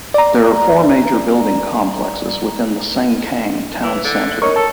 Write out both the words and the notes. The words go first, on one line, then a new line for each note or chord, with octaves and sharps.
There are four major building complexes within the Sengkang Town Centre.
D5 A#5
E3
D3
D#4 A#4 C#5 C#6
A4 A5